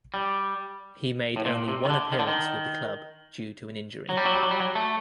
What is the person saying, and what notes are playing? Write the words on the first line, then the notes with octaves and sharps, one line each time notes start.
He made only one appearance with the club due to an injury.
G3
A2
A#2
C3
D#3
D3
D#3
D3
D#3
F#3
G3
F#3
G3
F#3
G3
F#3
A3